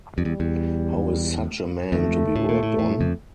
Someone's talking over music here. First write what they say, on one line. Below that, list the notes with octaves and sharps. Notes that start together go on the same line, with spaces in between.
How is such a man to be worked on?
F2 G3
E2
E2
F2 A3
A2
A#2
A2
A2
F2